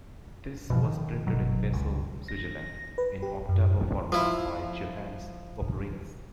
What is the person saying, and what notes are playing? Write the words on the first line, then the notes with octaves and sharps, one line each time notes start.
This was printed in Basel, Switzerland in octavo format by Johannes Oporinus.
B2 E3 F3
D#3
G1 B2 F#3
C#2
A#6
B4
G4
F#2
F3 E4